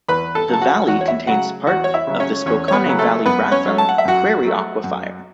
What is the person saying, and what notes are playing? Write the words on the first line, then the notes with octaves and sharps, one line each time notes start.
The Valley contains part of the Spokane Valley-Rathdrum Prairie Aquifer.
E2 B4 B5
A4 A5
C#3 F#3 A5
F#4 F#5
E2 F#4 F#5
C#5
E4 E5
C#3 F#3 F#4 F#5
E2 F#4 F#5
C#5
E4 E5
C#3 F#3
C#4 C#5
E2 C#4 C#5
C#5
B3 B4
C#3 F#3
A3 A4
F#2 B3 B4
C#4 C#5
F#3 A3
A5
F#5
E5
F#2 F#4 F#5
F#3 A3
F#2